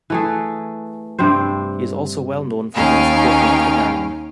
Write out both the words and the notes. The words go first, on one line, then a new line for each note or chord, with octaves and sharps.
He is also well known for being a supporter of Hibernian.
E3 A3 G#4
G2 C3 C4 C5
D#2 C#4 D#4 F5 G5 G#5